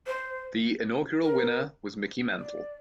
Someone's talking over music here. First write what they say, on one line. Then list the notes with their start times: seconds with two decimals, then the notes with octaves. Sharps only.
The inaugural winner was Mickey Mantle.
0.07 C5
1.23 A#4
2.39 D5